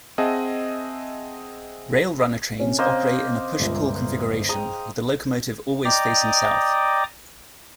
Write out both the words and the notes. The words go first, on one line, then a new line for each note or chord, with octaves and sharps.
Rail Runner trains operate in a push-pull configuration, with the locomotive always facing south.
C4 G#4 D#5 E5 F#5 A5
C3 C#4
A#3 C5 D#5
G1 C#2 E5
G#4 G5 A#5 D#6
D5 D#5 G5 A#5 D6 D#6